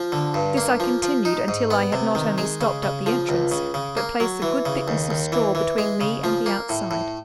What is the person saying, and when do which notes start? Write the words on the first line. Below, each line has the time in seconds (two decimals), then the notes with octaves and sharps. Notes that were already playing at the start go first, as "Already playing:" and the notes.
This I continued until I had not only stopped up the entrance, but placed a good thickness of straw between me and the outside.
Already playing: F3
0.12 D3
0.34 G2
0.57 A#3
0.80 F3
1.03 F3
1.25 D#4
1.48 G#2
1.71 B3
1.92 C3
2.15 D#3
2.38 G#3
2.61 C#3
2.83 C#3
3.06 F3
3.29 C#2
3.52 C#3
3.74 C#3
3.97 A#3
4.20 F#3
4.42 E3
4.65 C#3
4.88 D#2
5.10 D#2
5.32 E3
5.55 E3
5.78 G#3
6.01 C#3
6.24 F3
6.46 A#3
6.69 A2
6.91 A2